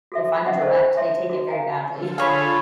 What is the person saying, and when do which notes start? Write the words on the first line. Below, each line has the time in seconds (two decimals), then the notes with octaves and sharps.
if I'm direct, they take it very badly.
0.12 F#4 A4 E5
0.46 C#4 D#5 E5 F#5 C#6
0.62 C5 A5 C#6
0.97 C#5 E5 A5 C6
1.30 F#4
1.48 F5 G#5 A#5
1.86 D3 F4 A4
2.18 G#4 C#5 F5 B5